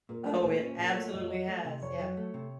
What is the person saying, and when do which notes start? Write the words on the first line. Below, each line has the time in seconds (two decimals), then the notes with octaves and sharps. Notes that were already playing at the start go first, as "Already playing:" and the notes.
Oh, it absolutely has. Yep.
0.09 A#2 A#4
0.26 A3 A#4
0.43 A#2 A#4
0.61 C#4 C5
0.78 A#2 A#4
0.96 A3 C#5
1.13 F2 D#5
1.22 C#5
1.31 F#3 D#5
1.47 A3
1.65 C3
1.82 F2 C#5
2.00 F#3
2.17 A3
2.34 C3